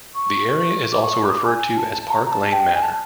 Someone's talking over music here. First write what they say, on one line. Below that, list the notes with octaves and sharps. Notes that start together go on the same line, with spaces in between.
The area is also referred to as Park Layne Manor.
C#6
D6
C#6
D6
D#6
D6
G#5
A5
A#5
A#5
A5
G5
G#5
A5